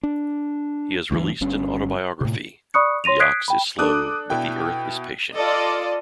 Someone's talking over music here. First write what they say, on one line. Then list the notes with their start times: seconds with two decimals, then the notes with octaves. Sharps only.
He has released an autobiography, "The Ox is Slow but the Earth is Patient".
0.03 D4
1.11 D2 G2 D3 E3
1.41 G1 G2 C#4
2.21 A2 C3
2.74 D5 B5 C#6 D#6 F#6 C#7
3.04 C#5 C6 A#6 D#7 F7
3.20 D#6 F#6 G#6 B6 C7 D7
3.48 G5 B5
3.79 D4 A4 D6 D#6 F#6
4.30 B2 E4 G5
5.35 F4 A4 D5 D#5